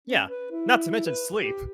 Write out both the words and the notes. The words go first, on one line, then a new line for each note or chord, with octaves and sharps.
Yeah, not to mention sleep.
C#4
B4
E4
B4
G4